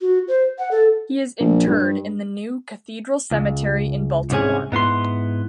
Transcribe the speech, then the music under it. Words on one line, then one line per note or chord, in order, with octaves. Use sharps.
He is interred in the New Cathedral Cemetery in Baltimore.
F#4
C5
F#5
A4
A#1
G2
C#2
C2 G#2 C3 C#4 G#4
G#2 B3 E4 C6